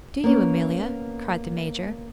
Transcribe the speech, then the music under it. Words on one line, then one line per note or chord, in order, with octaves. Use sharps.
"Do you, Amelia?" cried the Major.
A#3 B3 C#4